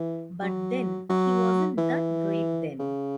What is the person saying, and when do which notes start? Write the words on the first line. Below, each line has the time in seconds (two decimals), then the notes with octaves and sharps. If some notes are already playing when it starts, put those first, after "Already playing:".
But then, he wasn't that great then.
Already playing: E3
0.42 F#3
1.10 F#3
1.78 E3
2.80 C#3